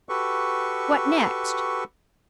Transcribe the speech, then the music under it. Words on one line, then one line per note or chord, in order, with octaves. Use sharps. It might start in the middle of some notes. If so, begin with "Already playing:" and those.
"What next?"
F#4 G4 A4 B4 C#6